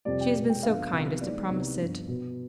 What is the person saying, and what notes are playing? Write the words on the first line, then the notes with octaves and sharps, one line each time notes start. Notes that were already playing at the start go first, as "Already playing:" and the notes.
She has been so kind as to promise it.
F2 C3 G3 D5
G5
B2 G#3 B3
G5
G2 D3 F3 B3 F5
C2 C3 F3 B3
D#2 D#3 G#3 B3 D5
C2 C3 D#3 G3 B3
G2 F3 B3
B2 B3